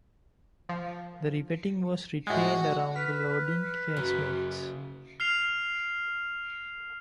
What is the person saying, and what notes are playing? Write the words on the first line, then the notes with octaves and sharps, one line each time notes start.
The revetting was retained around the loading casemates.
F3
A2 G#3 F#4
B4 F6 B6
F#2 C#3 F#3
F6 C7 F7